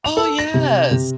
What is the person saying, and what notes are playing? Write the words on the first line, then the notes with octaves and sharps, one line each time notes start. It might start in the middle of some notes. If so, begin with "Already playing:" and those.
Oh, yes.
F7
A4
A#6
C3
C3